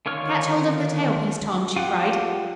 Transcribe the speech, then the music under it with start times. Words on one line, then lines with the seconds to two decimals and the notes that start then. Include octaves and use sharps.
"Catch hold of the tail piece, Tom," she cried.
0.06 D3 D#3 F4 C#5 F6
1.76 F4 G4 F#5